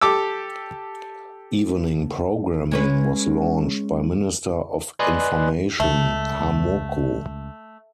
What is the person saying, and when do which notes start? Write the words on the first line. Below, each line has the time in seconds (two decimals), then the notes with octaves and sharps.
Evening programming was launched by Minister of Information Harmoko.
0.02 G4 A4 D6 E6
2.71 G#3 C#4 B4
4.99 B4 D5 D#5 G#5 C6 F#6
5.80 C#2 A3